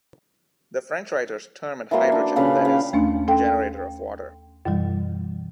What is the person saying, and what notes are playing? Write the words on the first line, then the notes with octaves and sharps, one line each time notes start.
The French writers term it hydrogen, that is, generator of water.
E3 F#3 A#3 C6
D4
A#2 C#3 B4 F5
F5 G5
D#2 A3 C#4 D4
C#4 A4 F5 G5
F#2 B2 E3 G3